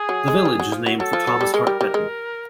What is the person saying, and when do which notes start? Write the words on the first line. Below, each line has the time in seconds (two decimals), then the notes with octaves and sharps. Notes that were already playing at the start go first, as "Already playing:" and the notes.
The village is named for Thomas Hart Benton.
Already playing: G#4
0.09 F#3
0.28 G#3
0.45 G3
0.60 F#3
0.72 F3
0.86 F#3
1.00 F#3 A4
1.13 F3
1.27 F#3
1.41 G3
1.54 G#3 A#4
1.67 G3
1.81 G3
1.94 G#3